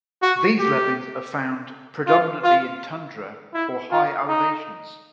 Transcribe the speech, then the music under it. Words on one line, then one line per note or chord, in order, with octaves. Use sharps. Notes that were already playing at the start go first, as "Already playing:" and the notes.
These lemmings are found predominantly in tundra or high elevations.
F#4
G4
F4
F4
E4
F4
D#4